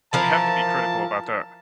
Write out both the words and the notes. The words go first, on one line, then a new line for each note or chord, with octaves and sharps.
you have to be critical about that.
E3 F3 A#4 A5